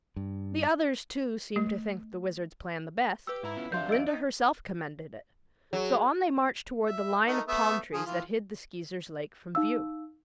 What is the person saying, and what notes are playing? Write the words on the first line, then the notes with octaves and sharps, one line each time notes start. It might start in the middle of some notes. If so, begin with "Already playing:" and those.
The others, too, seemed to think the Wizard's plan the best, and Glinda herself commended it, so on they marched toward the line of palm trees that hid the Skeezers' lake from view.
G2
A3
G4 B4 E6
G#2 E4 A#5
B3 C#4 F4
E2 C3 F#3 D4 E5 F5 C6 G6
D#5 E6 D7
D#4
F#3 G#4
E5
A3 D#4 A#4
A3 B3 E5
F3 G#4
E3 F4
D#4 F5 E6